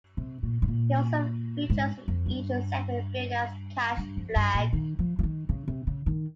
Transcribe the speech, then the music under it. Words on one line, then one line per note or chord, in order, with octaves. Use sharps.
He also features in each segment, billed as Cash Flagg.
C3
A#2
G#2
A#2
G#2
F2
G2
G2
F2
G2
A#2
D#3
F3
F3
D#3
C#3
C3
C#3
D#3